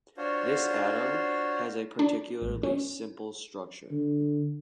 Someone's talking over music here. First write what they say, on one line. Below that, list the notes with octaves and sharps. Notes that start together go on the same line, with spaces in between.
This atom has a particularly simple structure.
D4 F4 F#4 C5 C#5
D4
A1
C#4
D3